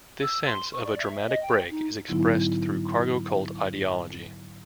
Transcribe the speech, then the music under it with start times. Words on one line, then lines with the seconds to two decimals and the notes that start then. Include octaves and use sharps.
This sense of a dramatic break is expressed through cargo cult ideology.
0.22 E6
0.46 C6
0.73 C#6
0.85 D5
0.99 E5
1.27 D#5
1.42 G5
1.71 D#4
2.08 G#2 D3 F#3 B3 D#4 E4